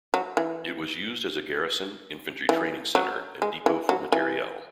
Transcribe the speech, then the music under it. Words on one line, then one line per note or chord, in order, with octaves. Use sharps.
It was used as a garrison, infantry training center, and depot for materiel.
F#3
E3
E3
F#3
G#3
E3
F#3
E3